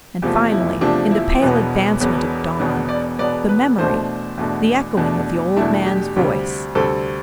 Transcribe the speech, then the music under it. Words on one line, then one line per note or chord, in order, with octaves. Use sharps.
And finally, in the pale advancement of dawn, the memory, the echoing of the old man's voice.
E2 C3 F3 A3
E4
E2 C3 F3 A3 D4
E4
E1 E2 B2 B3
E1 E2 B2 B3
E1 E2 B2 B3 D4
D5
E1 E2 B2 B3 D5
B4
E2 B2 A3 D4 C5
E2 B2 A3 D4
E2 B2 A3 D4
E2 B2 A3 D4 E4
G4
D2 C3 G3 C4
D2 C3 G3 C4 A4